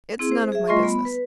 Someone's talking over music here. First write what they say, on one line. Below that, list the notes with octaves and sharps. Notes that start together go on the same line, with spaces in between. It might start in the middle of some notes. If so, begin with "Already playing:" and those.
It's none of my business.
C4 E4 G#4
C5
G#4 E5
G3 A3 F4 D#5 C6 C#6
B3 B5
B4